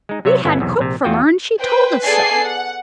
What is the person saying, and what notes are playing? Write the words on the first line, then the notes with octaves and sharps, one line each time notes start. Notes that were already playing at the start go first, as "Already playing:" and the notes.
We had cook from her, and she told us so.'
G#3 D#4
C3 F#3 C#5 E5
G1 B3 C#4 E4 A4 G#5
B1 E2 C3
A#1 C3
E2 F4 F#4 G5
B4 C5 G5
B3 G#4 A4 D5 G#5 C7
F#5